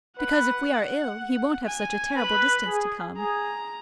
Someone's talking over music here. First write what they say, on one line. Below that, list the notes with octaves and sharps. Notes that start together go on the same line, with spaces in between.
"Because if we are ill, he won't have such a terrible distance to come."
B4 F#5
G#5
B4 B5
G#4
G#4 A#5